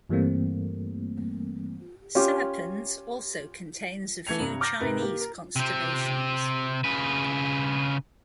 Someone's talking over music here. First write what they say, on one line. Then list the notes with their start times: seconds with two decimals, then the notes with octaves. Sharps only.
Serpens also contains a few Chinese constellations.
0.09 G2 E3 G3 A3 A#3 C4
2.15 C#4 F4 G4
4.27 E3 A3 G#6 C#7 F7
4.40 G2 C3 A#5
4.61 A#5 D6 F6 G6 A6 A#6
4.80 G#2 C3 A#4 B4
5.00 A#3 G4
5.21 A#4
5.56 C3 C4
6.84 C#3 B4